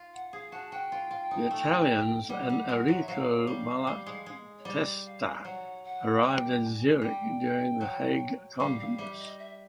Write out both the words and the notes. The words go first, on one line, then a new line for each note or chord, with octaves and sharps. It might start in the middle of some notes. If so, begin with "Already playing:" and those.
The Italians and Errico Malatesta arrived in Zurich during the Hague Congress.
Already playing: F4
F#5
G#4 F5
F#4 A5
F#4 G5
F4
F4
D#4
A3
G5
G3 F#5
G3
G#3
F#3
E5
F#3 F5
G3
G3
G#3
G#3
C#5
G3 D5
F5
F5
F#3 F#5
F#5
G3 G5
G#5
G3 G5
F#3
G3 F5
F5
G3 E5
D#5
E5